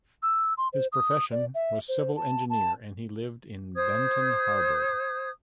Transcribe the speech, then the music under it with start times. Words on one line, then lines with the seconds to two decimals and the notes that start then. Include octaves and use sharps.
His profession was civil engineer and he lived in Benton Harbor.
0.23 E6
0.58 C6
0.73 C5
0.92 D#6
1.31 D5
1.55 E5
1.89 C5
2.16 A5
2.50 A5
3.76 C5 D#6 G#6